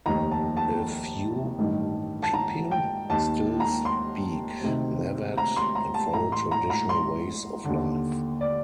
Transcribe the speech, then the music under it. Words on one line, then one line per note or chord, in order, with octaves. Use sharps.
A few Pipil still speak Nawat and follow traditional ways of life.
F1 D#2 D#3 A#5
A5
A5
A1 G2 D#3
A5
A#5
G5
D#2 D#3 A5
A#5
C6
D2 C3 D#3
A#5
C6
A#5
A5
A1 A2 A#5
C6
A#5
A#5
C6
D#2 D3
D5